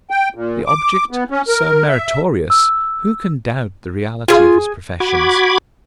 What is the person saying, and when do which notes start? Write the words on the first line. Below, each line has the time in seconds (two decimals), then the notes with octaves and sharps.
The object so meritorious, who can doubt the reality of his professions?
0.10 G5
0.35 A#2
0.66 D6
1.11 B3
1.30 C#4
1.48 A#4
1.89 E5
2.50 E6
4.28 F4 G#4 G#5
5.00 F#4 B5 D6 G#6